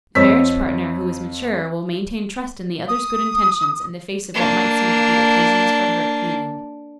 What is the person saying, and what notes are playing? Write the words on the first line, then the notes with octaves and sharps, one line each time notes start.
The marriage partner who is mature will maintain trust in the other's good intentions in the face of what might seem to be occasions for hurt feelings.
F2 C5 C#5 D#5 E6 B6
D#6
A#3 D4